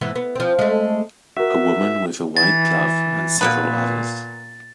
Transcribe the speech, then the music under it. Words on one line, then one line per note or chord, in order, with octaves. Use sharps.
A woman with a white glove and several others.
G#2 E3 B3
B3
F3 C4
G#3 A3
F#4 A#4 E5
E3 A6
A#2 A#3 B3 B4